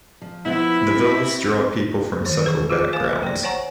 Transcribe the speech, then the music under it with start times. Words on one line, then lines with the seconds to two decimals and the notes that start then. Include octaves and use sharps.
The villas draw people from several backgrounds.
0.22 F3
0.46 F3 B3 E4
0.95 C4
2.25 D#3 E3
2.44 G#4 B4 C#6
2.70 F4 G#4
2.93 C5 F5 G#5
3.23 D5 G5
3.43 C5 C#5 F#5 G#5 A#5 C#6